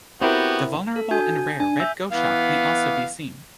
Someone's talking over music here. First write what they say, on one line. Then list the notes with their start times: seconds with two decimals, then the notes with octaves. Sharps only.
The vulnerable and rare red goshawk may also be seen.
0.21 B3 C4 E4 F#4 G4 A#4
0.96 A4
1.11 D4 F#4 G#5 G6
1.60 D4 G#5
1.80 E5 E6 G6
2.12 E3 B3 F5